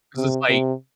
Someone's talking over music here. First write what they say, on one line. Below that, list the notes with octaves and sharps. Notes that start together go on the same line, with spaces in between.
'cause it's like
C3
C3